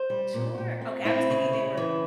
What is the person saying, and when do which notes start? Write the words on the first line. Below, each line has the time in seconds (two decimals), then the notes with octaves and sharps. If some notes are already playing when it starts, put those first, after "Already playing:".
Sure, okay, I was thinking they were
Already playing: C5
0.10 G3
0.34 A#2
0.58 A#2
0.81 C4
1.05 C4 E4
1.30 C#3
1.53 C#3
1.77 E3